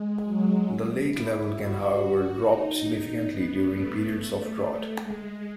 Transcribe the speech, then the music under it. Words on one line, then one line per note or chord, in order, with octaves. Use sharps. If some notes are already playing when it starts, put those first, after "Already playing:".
The lake level can, however, drop significantly during periods of drought.
Already playing: G#3
F#3
E4
F#4
D#4
D#4
B3
A3
A3
G#3